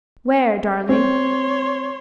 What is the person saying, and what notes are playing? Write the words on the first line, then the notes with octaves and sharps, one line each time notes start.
"Where, darling?"
C4 C#5 C6